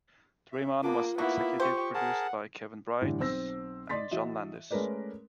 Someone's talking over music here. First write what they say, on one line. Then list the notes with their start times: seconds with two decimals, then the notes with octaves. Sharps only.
"Dream On" was executive produced by Kevin Bright and John Landis.
0.52 E5
0.83 A#3 B3 D4 F4 D6
1.18 A#3 B3 E4 F#4 E5
1.60 G4 C5 C#6
1.94 G#4 A#4 F#5 A5
3.01 A2 D3 E3 G3
3.20 B1 C4 E6 A#6
3.89 D5 D#5 C6 A6 B6
4.11 E3 F#4 D#5 E5
4.71 G#3 A3 C#4 A#4 B4 D5